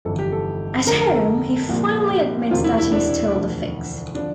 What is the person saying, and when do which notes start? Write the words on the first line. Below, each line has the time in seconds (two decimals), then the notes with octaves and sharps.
At home he finally admits that he stole the figs.
0.05 G1 F2 E3 A4
0.19 G4
0.32 A4
0.87 F1 F2 D3 A#4
1.01 A#4
1.15 A4
1.69 C2 A#2 F3
2.10 G4
2.51 E1 D2 C3 F4
2.64 E4
2.78 E4
2.92 D4
3.33 E1 D2 D3 F3
4.15 D3 F3 D4